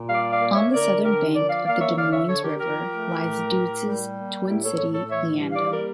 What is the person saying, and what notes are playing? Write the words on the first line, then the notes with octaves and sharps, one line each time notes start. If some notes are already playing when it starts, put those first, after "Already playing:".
On the southern bank of the Des Moines River lies Douds' "Twin City", Leando.
Already playing: A#2
G3 D5 F5
D5 F5
A#3
C#5 E5
D3 A#4 D5
D3 G4 A#4
F3 A#4 D5
D5 F5
A#3 D5 F5
C#5 E5
D3 D5 F5
C#5 E5
D3 A4 C#5
G4 A#4
F3 G4 A#4
A3
A2
A2
G3
A#3
A2 E4 G4
A4 C#5
A2 A4 C#5
A4 C#5
E3 C#5 E5
G3
D5 F5
A#3 A#4 D5